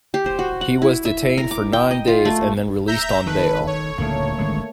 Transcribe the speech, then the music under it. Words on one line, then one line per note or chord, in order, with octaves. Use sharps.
He was detained for nine days and then released on bail.
G4
C5
F#4
F#5
E4
E5
A#4
D6
G5
D#5
F4
A3
E5 A#5 G6
D#3 A4 B4
C#5
D2 A#2 C#3 A3 A#3
G#1 D3 G#3